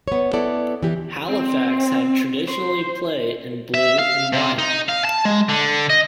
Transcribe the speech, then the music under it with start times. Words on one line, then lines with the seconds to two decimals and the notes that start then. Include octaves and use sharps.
Halifax have traditionally play in blue and white.
0.08 B3 C#5
0.33 B3 E4 A4 D5
0.83 E3 G4
1.29 C4
2.48 C5
3.74 E5
3.98 F5
4.33 C3
4.59 D#4
4.89 F5
5.05 A5
5.25 G#3
5.49 D3
5.90 D#5